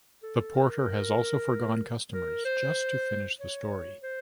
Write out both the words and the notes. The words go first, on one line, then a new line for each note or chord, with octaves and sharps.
The porter had also forgone customers just to finish the story.
A4
A#4
A#4
C5
C#5
C5